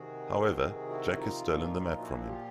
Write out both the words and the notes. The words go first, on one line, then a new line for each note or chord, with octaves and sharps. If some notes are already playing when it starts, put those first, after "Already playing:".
However, Jack has stolen the map from him.
Already playing: C3 D#3 F#4 G#4
E4 F#4
D#4 F4
A#2 F3
E4 F#4
F4 G4